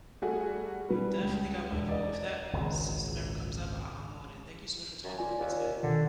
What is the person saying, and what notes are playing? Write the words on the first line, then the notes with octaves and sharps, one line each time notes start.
You definitely got my vote. If that system ever comes up, I I'm on it, thank you so much for talking with me today.
G3 A3 F#4 G#4
G3 B4
C#2
E1
D5 D#5
G#1 C#2 A#2
F#2
A#2 F4 D5 G#5
D#2
B2 D3 D#3